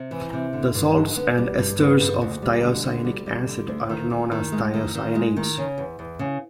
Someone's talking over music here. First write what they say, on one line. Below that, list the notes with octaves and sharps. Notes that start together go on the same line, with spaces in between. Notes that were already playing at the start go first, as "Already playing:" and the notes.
The salts and esters of thiocyanic acid are known as thiocyanates.
Already playing: C3
E3
C3
D3
G2
D3
B3
G3
G2
B3
G2
D2
G3
D3
D2
G3
G3
D3
D2
D#3
D#3
D#3
G#3
D#3
D#3
G#3
D#3
C#3
E2
E2
C#3